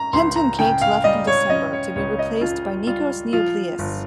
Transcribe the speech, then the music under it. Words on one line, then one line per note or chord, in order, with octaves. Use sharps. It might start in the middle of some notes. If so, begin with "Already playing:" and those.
Henk ten Cate left in December to be replaced by Nikos Nioplias.
Already playing: C#4 A#5
C#2 C6
A#5
C#3 G5
F5
G3 D#5
C#5
C#4 D#5
C#5
C#2 C#5
C#5
D#5
C#3 F4
G3 F4
F3 F4
G1